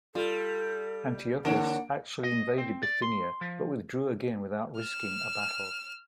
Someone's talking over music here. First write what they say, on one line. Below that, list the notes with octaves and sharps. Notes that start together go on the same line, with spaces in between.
Antiochus actually invaded Bithynia but withdrew again without risking a battle.
G3 F4 A4
D3 A#3 C4 D4 C#5 F#5 D7
D#5
C4
D5
C6
F3
F6 E7